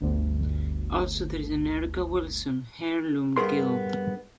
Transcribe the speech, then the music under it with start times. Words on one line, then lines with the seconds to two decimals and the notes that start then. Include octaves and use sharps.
Also, there is an "Erica Wilson-Heirloom Guild".
0.01 G1 D2
3.37 G2 B3 G#4 A#4 C6